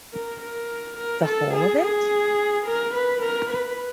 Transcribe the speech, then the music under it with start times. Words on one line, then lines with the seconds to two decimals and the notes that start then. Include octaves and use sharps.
The whole of it?
0.13 A#4
0.41 A#4
0.97 A#4
1.25 A4
1.54 G#4
1.81 G#4
2.66 A#4
2.94 B4
3.21 A#4
3.50 B4